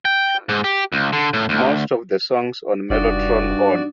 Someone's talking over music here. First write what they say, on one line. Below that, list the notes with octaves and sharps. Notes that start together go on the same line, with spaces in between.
Most of the songs on Mellotron On!
G5
G#2
G4
C#2
D3
A2
D2
F1 G2 D4 D#4 F#4 D5